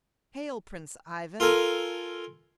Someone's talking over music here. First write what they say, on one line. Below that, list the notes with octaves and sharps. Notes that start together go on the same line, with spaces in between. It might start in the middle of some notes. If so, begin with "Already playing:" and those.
'Hail, Prince Ivan!
F4 A4 A#4 G#5